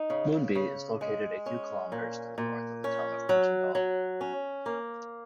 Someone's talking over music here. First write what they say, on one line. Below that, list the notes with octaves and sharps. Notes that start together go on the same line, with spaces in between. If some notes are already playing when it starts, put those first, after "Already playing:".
Moonbi is located a few kilometres to the north of the town of Kootingal.
Already playing: D#4
C#3
C#3
G#3
C#4
A#2
A#2
C#4
F#3
F#3
C#4
A#3